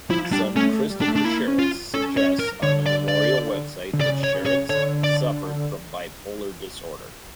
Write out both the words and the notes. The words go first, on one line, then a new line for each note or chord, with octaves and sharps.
Son Christopher Sharits suggests on the memorial website that Sharits suffered from bipolar disorder.
F3 E4
G3 D4
A3 C#4
A3
G3
D4
A3
D4
A#3 E4
C#4
F4
C#4 A4
C#4 C#5
A#4
D3 C#5
D5
D5
D3
C#3 D5
C#5
C#3
C#5
D3 C#5
D5